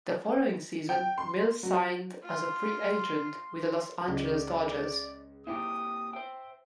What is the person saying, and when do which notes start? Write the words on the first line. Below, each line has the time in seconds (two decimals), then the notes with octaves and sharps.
The following season, Mills signed as a free agent with the Los Angeles Dodgers.
0.89 G5
1.18 C6
1.63 F#3
2.24 F4 C6
4.08 C#2 G#3 D5
5.47 A#2 C4 E4 G4 D#6
6.13 C5 E5 G5